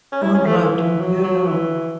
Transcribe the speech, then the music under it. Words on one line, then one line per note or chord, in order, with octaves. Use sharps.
Alright. I'm here now.
C#4
E4
C#4
A3
E3
F#3
F#3
E3